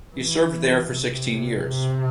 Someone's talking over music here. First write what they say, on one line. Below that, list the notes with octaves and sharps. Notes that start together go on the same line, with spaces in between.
He served there for sixteen years.
E3
C3
C3